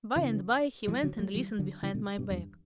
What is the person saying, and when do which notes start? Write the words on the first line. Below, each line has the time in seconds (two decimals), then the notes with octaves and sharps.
By-and-by he went and listened behind my back.
0.16 C#3 E3
0.87 E3 G3
1.03 D3 F#3
1.19 F#3 A3
1.35 E3 G3
1.59 D3 F#3
1.83 C#3 E3
1.95 B2 D3
2.18 G2 B2
2.30 E2 G2